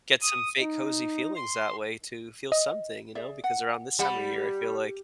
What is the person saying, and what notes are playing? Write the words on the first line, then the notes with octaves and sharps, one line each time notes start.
get some fake cozy feelings that way, to feel something, you know? Because around this time of year, I feel like
D#6
D#4
C6
D#5
G#4 D5 E5
F#5
G3 F#5 B5